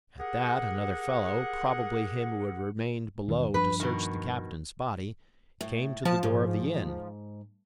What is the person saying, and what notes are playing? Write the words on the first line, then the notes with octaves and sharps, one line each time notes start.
At that another fellow, probably him who had remained below to search the captain's body, came to the door of the inn.
G4 G#4 A#4 F#5
E1 G2 D#3
G2 F3 D4 B4
B2 D#3
A2
F3 A5
G#2